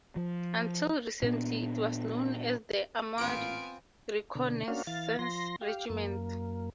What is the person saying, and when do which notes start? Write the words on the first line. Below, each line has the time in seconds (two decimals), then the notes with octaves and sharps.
Until recently, it was known as the Armoured Reconnaissance Regiment.
0.16 F3
1.22 A#2 B3 D4
3.18 A1 A#2 B3 C4 F4 F5 G#5 D7
4.35 B2 D3
4.68 A#3 C#4 D4 F#4 F5
4.87 E3 F5 A6
5.19 F3 C6 A#6
5.61 G4 F5
5.90 F#2 A#3